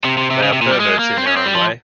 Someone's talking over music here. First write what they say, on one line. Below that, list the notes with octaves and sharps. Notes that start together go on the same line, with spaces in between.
They are perverts in their own way.
C3
C3
C3
C#3
C3
A#2
G3
G#3
A#3
C4
C#4
C4
G3
F3